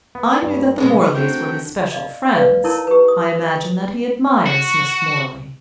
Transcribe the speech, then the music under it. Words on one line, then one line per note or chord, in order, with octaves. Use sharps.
"I knew that the Morleys were his special friends; I imagine that he admires Miss Morley."
B3
G2
C3 G#3 B3
F#3 A3 C4 D4 G5
D5 D#5 F5
B4 D5 F5
D#4 E4 A#4 C#5 A5 A#5
G4 B4
D#6
F#4